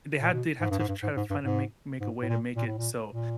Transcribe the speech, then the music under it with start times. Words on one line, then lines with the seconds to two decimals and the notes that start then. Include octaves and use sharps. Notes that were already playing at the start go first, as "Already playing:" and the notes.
they had they have to try to find a make make a way to make it so
0.21 A#2
0.33 B2
0.61 G#2
0.71 G2
0.79 G#2
0.89 G2
1.03 G#2
1.17 G#2
1.30 G2
1.45 G#2
2.01 G#2
2.22 A2
2.29 A#2
2.57 A#2
2.67 A2
2.78 A#2
3.13 A#2